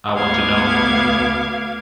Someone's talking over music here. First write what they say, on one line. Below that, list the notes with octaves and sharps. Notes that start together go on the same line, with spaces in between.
I want to know.
D2 B3 F5 D6 G#6